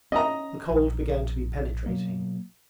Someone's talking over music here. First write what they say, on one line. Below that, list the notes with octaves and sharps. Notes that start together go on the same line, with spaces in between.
The cold began to be penetrating.
C#4 D#5 A#5
A#1
B2 F#3 A#3